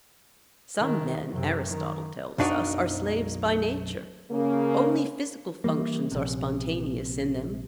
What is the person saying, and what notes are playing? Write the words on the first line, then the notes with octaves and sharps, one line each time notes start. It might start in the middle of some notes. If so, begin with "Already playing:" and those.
Some men, Aristotle tells us, are slaves by nature; only physical functions are spontaneous in them.
D#3
F#2 C3
D#3
B1 F#2 D4 D#4 F#4 D5
C#3 A#3
E3 G3 A#3
A#1 C3